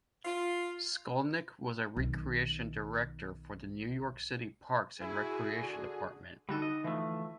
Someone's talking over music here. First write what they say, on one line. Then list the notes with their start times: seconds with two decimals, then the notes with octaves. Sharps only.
Skolnick was a recreation director for the New York City Parks and Recreation Department.
0.25 F4
1.96 B1 D#3
5.01 E4 F#4 G#4
5.60 D3
6.49 D3 G3 D#4 F#4 A4
6.62 D#5
6.84 E3 F3 A3